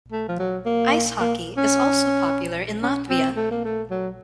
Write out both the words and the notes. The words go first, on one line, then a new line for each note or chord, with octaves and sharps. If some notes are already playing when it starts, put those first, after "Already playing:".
Ice hockey is also popular in Latvia.
A3
F3
F#3
A#3
A#3
C#4
C#4
C4
A3
A#3
A3
F#3